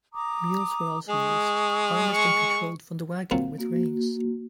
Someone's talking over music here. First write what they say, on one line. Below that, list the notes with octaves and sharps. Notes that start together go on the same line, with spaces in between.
Mules were also used, harnessed and controlled from the wagon with reins.
A#5 D6 D#6
G#3 C#6 D#6
C#6
A#2 F#3 C4
A#3 F#4